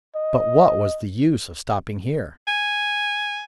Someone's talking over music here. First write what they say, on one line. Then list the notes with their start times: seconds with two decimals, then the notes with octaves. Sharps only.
But what was the use of stopping here?
0.15 D#5
2.48 G#5